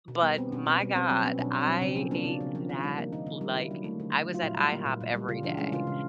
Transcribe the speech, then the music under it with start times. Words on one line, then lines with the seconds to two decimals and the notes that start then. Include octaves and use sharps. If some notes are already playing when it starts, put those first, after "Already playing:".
but my god, I ate that, like I was at IHOP every day,
0.08 B2
0.23 G3 B3
0.38 B3 C4
0.52 B2 C#4
0.66 B2 B3
0.81 G3 B3
0.96 B2 C4
1.10 F#3 C4
1.24 B3 C#4
1.38 B2 D4
1.53 B2
1.61 C4
1.67 F#3
1.81 C#3 C4
1.96 F3 C#4
2.11 A#3 D4
2.25 C#3
2.41 C#3
2.55 F3
2.69 D#3
2.84 G3
2.98 A#3
3.13 D#3 D#4
3.26 D#3
3.41 G3
3.56 D3 E4
3.71 F#3
3.84 A3
4.00 D3
4.13 D3
4.29 F#3
4.34 F4
4.42 A#2 E4
4.57 G3
4.71 A#3
4.86 A#2
5.01 A#2
5.15 G3
5.29 C#3 F4
5.43 E3 D4
5.58 G#3 C#4
5.72 C#3 F4
5.87 C#3